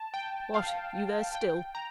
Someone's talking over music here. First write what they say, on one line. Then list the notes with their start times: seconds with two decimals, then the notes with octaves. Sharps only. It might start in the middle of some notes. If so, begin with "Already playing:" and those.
'What! you there still!'
Already playing: A5
0.14 G5
0.54 F5
1.35 G5
1.75 A#5